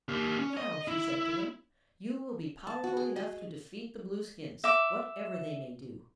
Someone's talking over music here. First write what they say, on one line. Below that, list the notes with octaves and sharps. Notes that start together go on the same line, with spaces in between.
"Now," she said to them, "you will be powerful enough to defeat the Blueskins, whatever they may do."
A#3 G4
C#4
D#5
E4
A5
F#4
G#4
D#5
E5 D6